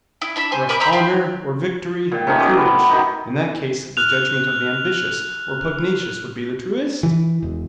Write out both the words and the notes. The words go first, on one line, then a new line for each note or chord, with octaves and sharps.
Or if honour or victory or courage, in that case the judgment of the ambitious or pugnacious would be the truest?
E4
D4 E5 B5
C5 G#5 C#6
A#4 E5 B5 D6
C5 E5 A#5 B5
G4 C5
A#2 G5
A3 C#4 D#4 C5
B2 D6
B4
B3
D#3 D#4 F#4
F6 F#6 F7
E3
E1